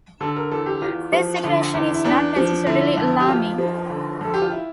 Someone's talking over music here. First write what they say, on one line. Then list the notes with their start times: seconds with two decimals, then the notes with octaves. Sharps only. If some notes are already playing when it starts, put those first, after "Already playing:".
This situation is not necessarily alarming.
0.20 D3 A4
0.36 A#4
0.51 E2 A4
0.66 G4
0.82 E2 F4
1.12 F3
1.44 D3
1.74 E2
1.95 E4
2.04 E2 D4
2.36 F3
2.66 D3 E4
2.97 F2
3.20 G4
3.28 F2 F4
3.58 F3
3.90 D3
4.21 F2 A4
4.34 G4
4.42 F4
4.52 E4